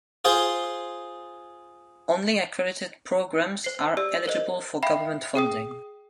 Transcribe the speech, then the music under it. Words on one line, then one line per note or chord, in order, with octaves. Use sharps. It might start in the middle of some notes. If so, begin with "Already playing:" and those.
Only accredited programmes are eligible for government funding.
F4 G#4 C5 C6
C5 C7
G4 D5 E6
A#4 C5 D#5
E5 F5 G5 B5
G#4 G5 D#6